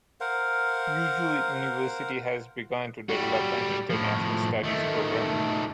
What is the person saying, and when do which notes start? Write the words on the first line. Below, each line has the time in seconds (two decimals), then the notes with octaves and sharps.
Yeoju University has begun to develop an international studies program.
0.20 A#4 C5 F5 F#5
3.09 G3 F#4
3.90 A2 F3
4.64 D#3 A3